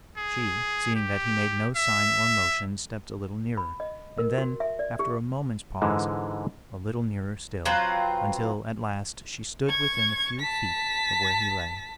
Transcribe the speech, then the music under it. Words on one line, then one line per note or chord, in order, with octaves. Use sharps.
She, seeing that he made no sign or motion, stepped a little nearer, and then, after a moment's pause, a little nearer still, until, at last, she stood within a few feet of where he lay.
G#4
G4
E5
B5
D#5
A#4
F#4
E5
D5
G4
G#2 D3 E3 G#3
F#3 C4 F4 B4
C#6 G#6
A5 B6